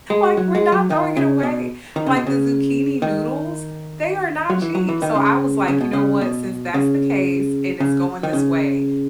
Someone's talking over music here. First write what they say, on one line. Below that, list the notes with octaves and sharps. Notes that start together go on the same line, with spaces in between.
like, we're not throwing it away, like, the zucchini noodles? They are not cheap, so I was like, "You know what? Since that's the case and it's going this way"
G#3
F#3
G#3
F#3
D#3
C#3
B2
D#3
C#3
B2
C#3
D#3
F#3
E3
F#3
E3
D#3
C#3
C#3
B2
C#3
B2
C#3
C#3
D#3
C#3